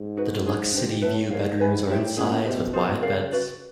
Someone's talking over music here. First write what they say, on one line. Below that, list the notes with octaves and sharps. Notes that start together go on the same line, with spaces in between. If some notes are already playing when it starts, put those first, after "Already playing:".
The Deluxe City View bedrooms are in size with wide beds.
Already playing: G#2
D#4 F#4 B4
D4 F4 G#4
G#2 D4 G4 C5
A2 B4 E5 A5
G#2 A#4 C#5 F5
G#2 B4 E5 G#5 B5
A2 D#4 G4 C5 E5
A#2 C#4 E4 G#4
B2 G4 C5 E5
F4 G#4 C5
C#3 A#4 D5 F5
F#4 B4 D5